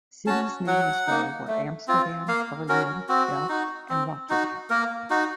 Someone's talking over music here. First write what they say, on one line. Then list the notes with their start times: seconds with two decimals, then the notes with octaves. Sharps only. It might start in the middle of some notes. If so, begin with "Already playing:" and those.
Cities named this way were Amsterdam, Berlin, Delft, and Rotterdam.
0.26 C#4 F#4 A5
0.67 F#3 F#5
1.07 A#3 D#4
1.48 A3
1.88 C4 F4
2.28 A#3 F5
2.69 C#4 F#4 A#4
3.09 C4 F#4
3.49 D#4 F#4
3.89 C4
4.29 D#4 F#4
4.70 A#3 A#4
5.10 D#4 F#4